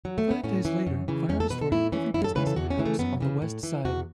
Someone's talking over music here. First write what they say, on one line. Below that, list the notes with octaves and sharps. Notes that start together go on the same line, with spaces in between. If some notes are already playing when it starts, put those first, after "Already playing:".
Five days later, fire destroyed every business and house on the west side.
F#3
A3
B3
A2 C#4
E3
F#2
C#3 E3
E2 C#4
A4
B2 B4
A4
A2 E4
E3 C#4
F#2 E4
A4
C#3 E3 B4
A4
E2 F#4
C#4
C#3 E3
A3
F#2 B3
C#3 E3
A2
E3
E2 F#4